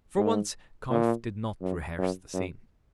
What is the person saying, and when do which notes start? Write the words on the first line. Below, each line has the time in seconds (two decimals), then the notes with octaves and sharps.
For once Kauf did not rehearse the scene.
0.17 G#2
0.90 A#2
1.61 F#2
1.98 F#2
2.33 F#2